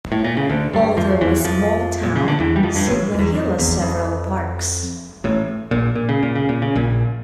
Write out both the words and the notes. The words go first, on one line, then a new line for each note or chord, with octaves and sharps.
Although a small town, Signal Hill has several parks.
A2
A#2
C#3
D2 D3
G2 G3
F2 F3
E2 E3
F2 F3
A#2
C#3
D3
E2 E3
G3
F2 F3
G2
A1 A2
F2
E2
F2
E2
F2
A1 A2
A#1 A#2
A#2
C#3
A#2
C#3
A#2
C#3
A#1 A#2